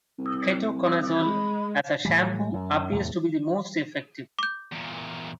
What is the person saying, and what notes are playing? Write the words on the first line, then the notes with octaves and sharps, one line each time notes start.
Ketoconazole as a shampoo appears to be the most effective.
C2
G#3 B5
A2 E3 G3
F#2
E2 A2 C3
D6 G6
E2 A#2